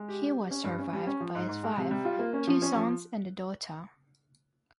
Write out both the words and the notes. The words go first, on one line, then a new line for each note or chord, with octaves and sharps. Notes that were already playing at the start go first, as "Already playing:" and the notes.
He was survived by his wife, two sons and a daughter.
Already playing: G#3
G4
G4
G4
C#4
G2
C#4
G3
C#4
F3
G#2
G#2
G#3
C3
G3
F4
A#3
C#4
F3
C#4
F3